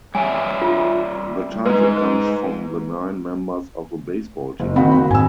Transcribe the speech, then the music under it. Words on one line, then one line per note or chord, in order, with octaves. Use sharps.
The title comes from the nine members of a baseball team.
G3 C#5 E5 G#5
F4
G#3 D#4 B4
F#1
D#3 C4 F#4 B5
B5
G#2 G#5 E6